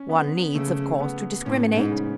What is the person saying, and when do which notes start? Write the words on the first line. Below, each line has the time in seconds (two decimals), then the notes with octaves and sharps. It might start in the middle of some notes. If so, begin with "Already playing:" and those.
One needs, of course, to discriminate.
Already playing: C#4
0.09 B3
0.54 C#3 A3
1.00 B3
1.46 A2 C#4
1.68 B3
1.75 G#2
1.91 C#3